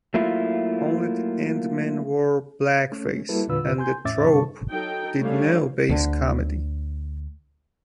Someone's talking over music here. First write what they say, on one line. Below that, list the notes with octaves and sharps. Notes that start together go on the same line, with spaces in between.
Only the endmen wore blackface, and the troupe did no base comedy.
F#3 A3 A#3 E4 F4
A3 C#4
G3 A#3 E4 F#4 A4 B4
E2 A#2 D3 F4 B4 E6
G#5 C6 G6
E2 A2 C#4 E5 D6 A6
G2 C3 G3 A5 C#6
F#3 D#4 A4 G5
G3 A3 C#4 D4 C#5 F5
D2 D3